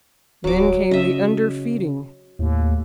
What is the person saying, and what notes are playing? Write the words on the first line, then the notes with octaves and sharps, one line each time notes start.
Then came the underfeeding.
D1 F#3 D6
C#3 D#5 E5
D#2 A2